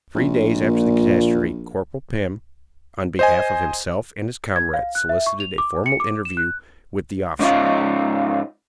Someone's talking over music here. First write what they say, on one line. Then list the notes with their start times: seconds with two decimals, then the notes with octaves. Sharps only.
Three days after the catastrophe, Corporal Pim, on behalf of himself and his comrades, solicited a formal interview with the officers.
0.15 A#1
0.62 A#2
3.19 C5 D#5 G#5
4.56 G#6
4.74 F5
4.95 F#6
5.09 E5
5.26 C#6
5.40 F7
5.58 D6
5.86 C#7
6.00 D6
6.25 E7
6.37 F#6
7.39 G#2 C#4 D#4 F4